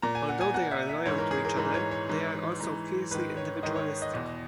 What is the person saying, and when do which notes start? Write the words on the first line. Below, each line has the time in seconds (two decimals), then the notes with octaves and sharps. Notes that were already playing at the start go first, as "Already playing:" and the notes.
Although they are loyal to each other, they are also fiercely individualistic.
0.02 A#2 A#5
0.15 G#5
0.29 F#5
0.41 G#5
0.54 A#2 F#5
0.71 E5
0.89 E5
1.06 G#2 E3 C#5
1.18 A#4
1.31 G#4
1.45 A#4
1.57 G#2 E3 A#4
1.74 C#5
1.91 C#5
2.09 G#2 E3
2.60 G#2 E3
3.11 G#2 D#3 B4
3.37 C#5
3.63 G#2 D#3 D#5
3.76 C#5
4.02 D#5
4.14 E2 B2 D#5